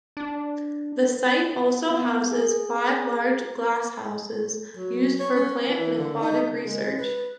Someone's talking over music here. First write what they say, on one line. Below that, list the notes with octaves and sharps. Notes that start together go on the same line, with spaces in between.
The site also houses five large glasshouses, used for plant and aquatic research.
D4
B3
G#4
F#3
C#5
C#4
E3
D3
D#4
C#3
G#3
B4